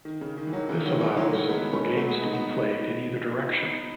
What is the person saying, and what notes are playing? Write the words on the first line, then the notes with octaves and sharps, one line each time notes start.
This allows for games to be played in either direction.
D#3
C#3
D#3
E3
D#3 F#3
C#3 E3
D#3 F#3
C#3 E3
D#3 F#3
F#3 A3
G#3 B3
A3 C#4
F#3 A3
G#3 B3
B3 D#4
B3 D#4
B3 D#4
B3 D#4
B3 D#4